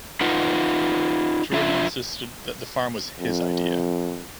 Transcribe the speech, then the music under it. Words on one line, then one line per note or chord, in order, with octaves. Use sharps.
Jordy insisted that the farm was his idea.
D#4 F4 B4 F#5
F2 D4 F4 E5
F2